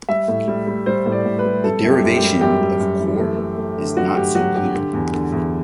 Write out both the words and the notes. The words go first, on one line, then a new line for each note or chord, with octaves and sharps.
The derivation of "cor" is not so clear.
G3 E5
A2
G3
G3
G3 C5
A2
D5
A2
B4
G3
G3 A4
F#2
G4
F#2
G4
G3
F#2 G4
G3
F#2
E3
A3
A3
A3
D3
F#3 F#4
G2 G4
F#3 F#4
G2 G4
D3
E2
D3
E2